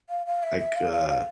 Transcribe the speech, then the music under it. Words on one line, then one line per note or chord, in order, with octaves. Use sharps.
like, uh,
F5
F5
E5
E5
F5
F5
F5